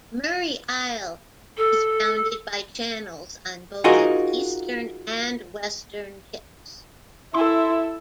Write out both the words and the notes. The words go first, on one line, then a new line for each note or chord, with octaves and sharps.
Murray Isle is bounded by channels on both its eastern and western tips.
A4
D#4 F4 F#4 G#4 A#4 D#5
E4 A4 E5 C6